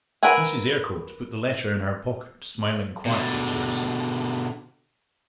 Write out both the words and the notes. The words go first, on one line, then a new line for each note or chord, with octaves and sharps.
Mrs. Eyrecourt put the letter in her pocket smiling quietly to herself.
A#4 B4 E5 F#5 G#5
B2 D3